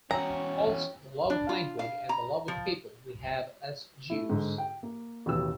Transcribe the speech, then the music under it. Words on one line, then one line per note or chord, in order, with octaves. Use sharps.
Also, the love of language and the love of people we have as Jews.
E2 C#4 F#4 G5 G#5 A#5 E6
D4
F4
F5
A#5
F3
A3 E4
G#2 D3
G5
A#3
A1 D#2 B2 E6